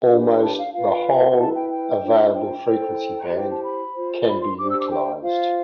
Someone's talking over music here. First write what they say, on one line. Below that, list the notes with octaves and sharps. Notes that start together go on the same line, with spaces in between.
Almost the whole available frequency band can be utilized.
D4 G4 B4
A5
F5
F4 B4 F5
E4 B4 A5
G5
G5
D4 F4 C5
G5
E4 A4 C5
E4 G4 C5
G5
A5
B5
F4 C5
B5
C6
D4 G4 C5 D6
E6
D6
A5
G5
F4 C5 F5